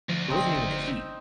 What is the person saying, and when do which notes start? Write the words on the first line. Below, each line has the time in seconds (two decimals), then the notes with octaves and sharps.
it wasn't even the heat.
0.09 D2 F3
0.30 D#1 C4 D#4
0.55 G1